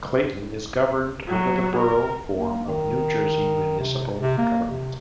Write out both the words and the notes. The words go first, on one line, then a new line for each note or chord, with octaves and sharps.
Clayton is governed under the Borough form of New Jersey municipal government.
F#3
A#4
A#3
D#3
C3
C3
A#3
C3